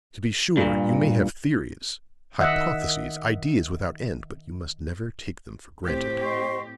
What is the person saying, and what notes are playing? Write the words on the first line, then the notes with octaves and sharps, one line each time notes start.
To be sure, you may have theories, hypotheses, ideas without end, but you must never take them for granted.
G2 A#2
D#3 D#5 E5 F#5
A2 C4 G4 C5
D#5 C6 C#6